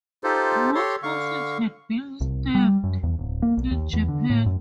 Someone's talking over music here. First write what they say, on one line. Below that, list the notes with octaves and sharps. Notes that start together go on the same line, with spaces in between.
Both horses had been stabled in Japan.
D#4 F4 G4 A4 C5
G4 A4 C#5 C6
D3 F5 C#6
C2
G3
F#2
E2
D1
A#3
B1
D#2
E2
D3
A2
F#2